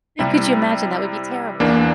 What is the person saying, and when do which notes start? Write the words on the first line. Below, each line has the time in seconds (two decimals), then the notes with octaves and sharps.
and could you imagine? That would be terrible.
0.19 C3 G3 C4 E4
1.60 E2 E3 A#3 D4